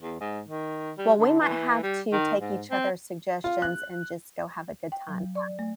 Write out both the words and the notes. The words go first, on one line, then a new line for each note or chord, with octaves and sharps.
Well, we might have to take each other's suggestions and just go have a good time, then.
E2
G#2
D#3
G3
D3
E3
G3
D#3
G#2
C4
F4
F#6
G5
F#3
D5
A3